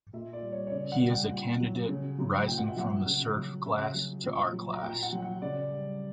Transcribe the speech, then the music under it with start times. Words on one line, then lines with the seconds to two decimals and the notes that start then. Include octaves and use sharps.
He is a candidate, rising from the serf class to our class.
0.13 A#2 E5
0.33 D5
0.42 G3
0.52 C#5
0.67 C#5
0.72 C#3 D5
0.92 F#5
1.02 G3
1.11 G5
1.30 A#2 F#5
1.61 F#3
1.89 C#3
2.19 F#3
2.48 A#2 G5
2.58 F#5
2.68 E5
2.77 F#3 F#5
3.06 C#3
3.37 F#3
3.66 C#3 E5
3.94 F#3
4.24 A#2
4.53 F#3
4.73 A#5
4.82 A#2 G5
5.03 F#5
5.13 F#3
5.22 F#5
5.42 C#3 D5
5.71 G3